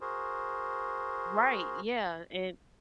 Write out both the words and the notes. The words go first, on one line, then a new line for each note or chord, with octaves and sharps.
right, yeah, and
F#4 G#4 A#4 C5